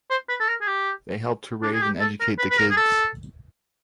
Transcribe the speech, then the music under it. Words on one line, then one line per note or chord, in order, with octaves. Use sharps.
They helped to raise and educate the kids.
C5
B4
A4
A#4
G#4
G4
D4
G#4
G4
A4
A#4
B4
B4
A#4
G#4
A4